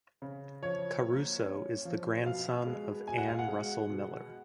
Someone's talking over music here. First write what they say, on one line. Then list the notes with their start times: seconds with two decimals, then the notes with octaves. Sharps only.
Caruso is the grandson of Ann Russell Miller.
0.22 C#3
0.63 F3 C#5
1.04 A#3
1.44 C#4
1.85 F3
2.26 B2 F5
2.67 G#3
3.08 B2 G#5
3.18 F#5
3.28 F5
3.39 F#5
3.48 G#3
3.90 B2